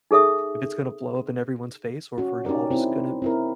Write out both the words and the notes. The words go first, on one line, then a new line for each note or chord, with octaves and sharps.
If it's gonna blow up in everyone's face or if we're all just gonna, you
D#4 G#4 A4 E5 D#6
C#4 F#4
C#4 D#4 G4 A#4 D5
C4 E4
C4 E4 A#4